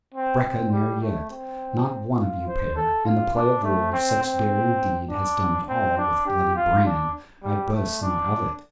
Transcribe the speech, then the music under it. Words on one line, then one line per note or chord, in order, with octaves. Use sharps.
Breca ne'er yet, not one of you pair, in the play of war such daring deed has done at all with bloody brand, -- I boast not of it!
C4
C4
G3
A3
C4
F4
C5
A4
F4
D4
A3
C4
C4
D4
C4
D4
G4
F4
D4
G3
A3
D4